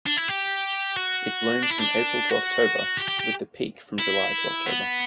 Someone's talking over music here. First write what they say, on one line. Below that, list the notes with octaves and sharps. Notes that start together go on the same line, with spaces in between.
It blooms from April to October with the peak from July to October.
D4
E4
G4
F#4
D4
E4
D4
F#4
G4
G4
G4
E4
B3